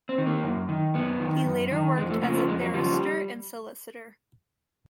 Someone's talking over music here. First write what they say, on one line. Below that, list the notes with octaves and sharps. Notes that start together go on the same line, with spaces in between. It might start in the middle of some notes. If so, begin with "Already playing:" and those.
He later worked as a barrister and solicitor.
C4
D#3
A#3
F#2
D#3
F#2 B3
D#3
F#2
D#3
F2 G#3
A3
C#3 F3 A#3
A3
F2 G#3
F#3
C#3 F3 G3
G3